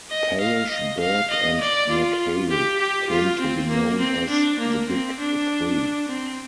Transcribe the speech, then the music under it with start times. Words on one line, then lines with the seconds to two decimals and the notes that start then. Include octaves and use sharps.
Parish, Bird and McHale came to be known as The Big Three.
0.10 D#5
0.40 F5
0.70 D#5
1.00 F5
1.30 D#5
1.60 D5
1.90 F4
2.50 G4
2.79 G4
3.09 F4
3.40 C4
3.69 A#3
3.99 C4
4.29 D4
4.59 A#3
4.88 C4
5.19 D4
6.08 C4